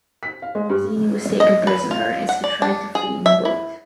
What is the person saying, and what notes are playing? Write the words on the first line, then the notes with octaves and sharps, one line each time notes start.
Morosini was taken prisoner as he tried to flee in a boat.
B6
F5
G#3
G2
D#5
B4
F4
F#5
D5
D4
G#4
E5
E4